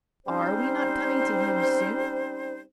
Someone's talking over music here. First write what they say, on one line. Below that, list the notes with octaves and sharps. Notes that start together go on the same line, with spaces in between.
Are we not coming to him soon?
G3 C4 C#4 D#4 C5